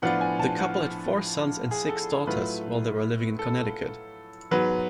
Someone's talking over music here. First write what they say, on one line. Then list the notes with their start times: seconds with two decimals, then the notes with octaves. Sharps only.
The couple had four sons and six daughters while they were living in Connecticut.
0.02 A2 F3 B3 D4 F4 F#5
0.21 G#5
0.39 A5
0.58 F#5
1.71 G#4
1.89 A4
2.27 A2 F#3 A3 F4 B4
3.39 A4
4.51 G#2 F#3 B3 B4